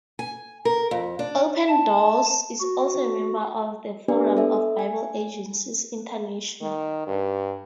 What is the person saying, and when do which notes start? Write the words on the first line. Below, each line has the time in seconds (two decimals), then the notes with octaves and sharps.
Open Doors is also a member of the Forum of Bible Agencies International.
0.19 G#5
0.65 A#4
0.91 F2
1.19 D4
1.68 A5
2.60 F#4
4.08 B3 D4 G4 B4 D5 G#5
4.37 A4 E5
4.79 G#5
6.61 D#3
7.07 G2